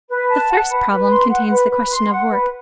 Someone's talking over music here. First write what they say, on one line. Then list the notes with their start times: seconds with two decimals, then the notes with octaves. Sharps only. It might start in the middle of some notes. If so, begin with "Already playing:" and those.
The first problem contains the question of work.
0.09 B4
0.28 A5
0.49 F#5
0.69 B4
0.89 B4
1.10 C6
1.30 F#5
1.50 B4
1.70 B4
1.90 C6
2.10 F#5
2.30 B4